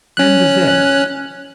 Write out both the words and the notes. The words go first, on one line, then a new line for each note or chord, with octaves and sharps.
"And then?"
C#4 F#6